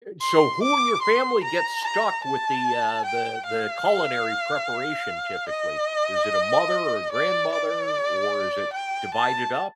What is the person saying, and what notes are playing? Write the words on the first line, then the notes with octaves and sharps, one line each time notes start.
So, who in your family gets stuck with the, uh, the the culinary preparation typically? Is it a mother or a grandmother or is it divided up?
C6
D6
C6
A#5
A#5
A5
G5
F5
D#5
D5
D5
G5
A5